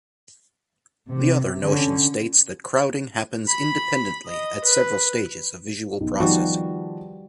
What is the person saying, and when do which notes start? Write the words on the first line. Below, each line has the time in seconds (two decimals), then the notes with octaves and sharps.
The other notion states that crowding happens independently at several stages of visual processing.
1.08 C3
1.62 D3 C#4
3.48 B5
4.26 D#5
4.64 B4
6.01 B1
6.20 D#3 F3 G3 B3 F#4